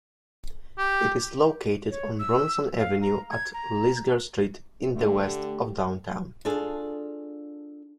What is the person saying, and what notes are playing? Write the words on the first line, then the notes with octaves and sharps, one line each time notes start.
It is located on Bronson Avenue at Lisgar Street in the west of Downtown.
G4
C#5
E6
F5
A#5
G#6
A#5
D3 A3 G4
D4 F4 G#4 A4